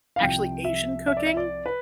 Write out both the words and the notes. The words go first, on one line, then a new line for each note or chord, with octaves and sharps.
actually Asian cooking?
F5
C2 C3 F3 G5
E5
E5
D5
E5
D5
B4